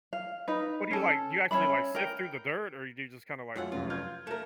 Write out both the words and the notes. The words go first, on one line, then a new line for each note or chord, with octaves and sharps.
What do you like, do you actually, like, sift through the dirt, or do you just kinda like um,
F5
D#4 B4
C#4 A4
C#4 D4 E5 B5
A#4 G5
F#2 A3 F4 C#5 F5 F#5
F1 F#2 F4
F4 F6 G6 G#6
A3 A#4 E7